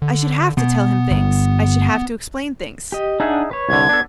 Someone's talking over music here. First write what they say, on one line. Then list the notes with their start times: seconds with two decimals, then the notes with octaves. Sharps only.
I should have to tell him things, I should have to explain things----.
0.02 D3
0.57 B2 B3
1.11 G1
2.92 G4 D#5
3.20 D4 D#4 G#4 E5 F#5 G#5
3.51 B4 C#5
3.69 C2 D3 G#6
3.89 B3 D4 A4